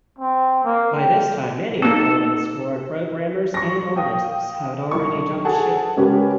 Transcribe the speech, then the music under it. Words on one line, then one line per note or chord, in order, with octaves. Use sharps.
By this time many of Odin's core programmers and artists had already jumped ship.
C4
A#3
G5
A#3 C4 D#4 F#4 A4
C#6 A#6
F5 G5 D#6 A#6
B1 E4 C#6
G#4 A4 F#5 G#5 A5
C#3 G#3 C#4 G4 A#4 B4